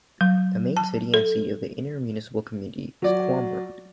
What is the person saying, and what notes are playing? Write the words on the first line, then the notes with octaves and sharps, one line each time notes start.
The main city and seat of the intermunicipal community is Coimbra.
F#3
A5
A4
F#3 D5